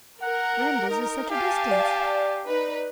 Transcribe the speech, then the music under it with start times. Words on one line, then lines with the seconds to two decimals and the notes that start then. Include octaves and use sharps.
Randalls is such a distance.
0.22 A#4 F#5
0.90 D#4
1.30 G4 F5 G#5 A5
1.71 D5
2.46 D#4 B4